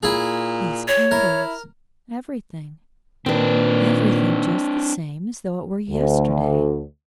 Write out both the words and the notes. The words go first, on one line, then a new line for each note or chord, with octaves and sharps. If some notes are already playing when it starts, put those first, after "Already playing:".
"These candles--everything--everything just the same as though it were yesterday!"
A#2 E4 G#4
C#5
E4 A#4
A#2 D#3 C4 D4 B4
D2